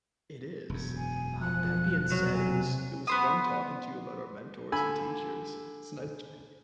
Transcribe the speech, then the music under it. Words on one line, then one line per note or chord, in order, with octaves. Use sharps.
It is. Uh, that being said, it was it was fun talking to you about our mentors and teachers. It's nice chatting
E1 F#2
G#5
F3 F#6
C3 F#3
G#5
B3 C5 D#6
D3 G#5 B5 E6